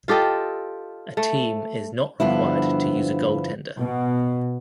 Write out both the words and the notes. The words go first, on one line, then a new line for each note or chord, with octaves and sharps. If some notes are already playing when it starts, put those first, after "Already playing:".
A team is not required to use a goaltender.
F4 G4 A4 D#5
A3
G2 D3 F3 B3 E4
B2